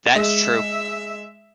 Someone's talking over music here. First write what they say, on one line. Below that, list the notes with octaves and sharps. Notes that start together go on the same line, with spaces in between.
That's true.
G#3 E5